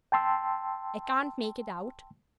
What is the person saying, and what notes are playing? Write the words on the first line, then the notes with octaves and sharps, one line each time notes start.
I can't make it out.
G5 A5 C6 E6